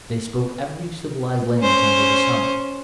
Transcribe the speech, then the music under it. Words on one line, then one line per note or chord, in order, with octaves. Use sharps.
They spoke every civilized language under the sun.
C#4 C5